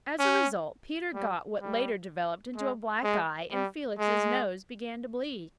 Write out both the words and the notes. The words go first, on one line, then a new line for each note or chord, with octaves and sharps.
As a result, Peter got what later developed into a black eye, and Felix's nose began to bleed.
C#4
G3
G3
G#3
G#3
G3
G#3